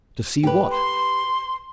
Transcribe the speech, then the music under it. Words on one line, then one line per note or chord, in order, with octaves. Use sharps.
To see what?
G4 B4
C6